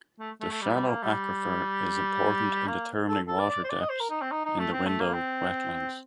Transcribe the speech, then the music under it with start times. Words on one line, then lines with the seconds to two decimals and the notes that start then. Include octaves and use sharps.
The shallow aquifer is important in determining water depths in the ‘window’ wetlands.
0.20 A3
0.41 A3
0.51 A3
0.62 G3
0.74 G3
0.88 A#3
1.03 G3
2.67 A#3
3.08 A4
3.28 A4
3.39 D5
3.50 D5
3.64 C5
3.70 D5
3.80 D#5
3.90 C5
4.00 A#4
4.10 D#4
4.22 C4
4.31 D#4
4.45 D#4
4.59 A3
4.73 C4
4.86 A3
5.01 A#3
5.14 C4